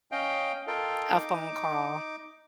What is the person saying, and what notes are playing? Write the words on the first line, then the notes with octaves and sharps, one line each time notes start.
A phone call.
C#4 D#5 F5 G5
F4 A4 A#4 D#5 F5 G5
D#4 D6